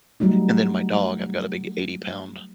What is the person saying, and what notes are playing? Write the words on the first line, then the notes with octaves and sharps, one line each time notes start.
and then my dog I've got a big eighty-pound
F#3 G3 A3 D#4